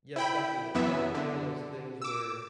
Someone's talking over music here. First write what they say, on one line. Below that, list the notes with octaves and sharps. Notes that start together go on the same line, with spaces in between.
Yes, definitely, and it's one of those things where,
E4 G5 B5
F#2 E3 B3 E5
D3
D6 E6